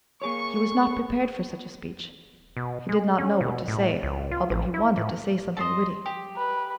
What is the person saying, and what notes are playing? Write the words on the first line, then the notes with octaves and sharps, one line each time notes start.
He was not prepared for such a speech; he did not know what to say, although he wanted to say something witty.
A#3 G#4 C#5 C#6
B2
G#3
C#4
B2
A2
C#2
F4
A1
E4
A2
A4 C5 D#5
G4
B4